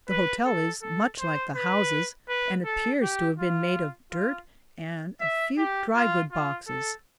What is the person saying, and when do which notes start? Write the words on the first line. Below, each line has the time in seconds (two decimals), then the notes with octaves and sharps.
The hotel is much like the houses, and appears to have been made of dirt, and a few drygoods boxes.
0.09 B4
0.45 A4
0.82 A4
1.19 C5
1.56 B4
2.29 B4
2.65 A4
3.02 G4
3.39 F4
4.12 F4
5.21 E5
5.58 G4
5.95 F4
6.32 F4
6.68 A4